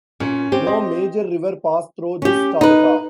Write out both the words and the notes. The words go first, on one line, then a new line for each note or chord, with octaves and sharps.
No major river pass through this taluka.
A#2 C#4
C4 G4
C5 D#5
C#4 G4
D#4 B4